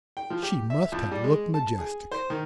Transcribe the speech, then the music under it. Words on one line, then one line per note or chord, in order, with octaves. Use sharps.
She must have looked majestic.
G5
F3
G4
E5
F2
G3
G#3
A5
G#4
C5
D#3